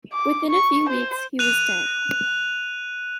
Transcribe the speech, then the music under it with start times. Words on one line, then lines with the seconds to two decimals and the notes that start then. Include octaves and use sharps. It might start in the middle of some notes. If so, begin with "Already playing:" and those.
Within a few weeks, he was dead.
0.13 D6
0.49 C#6
0.89 C5
1.39 F#6 D#7 F7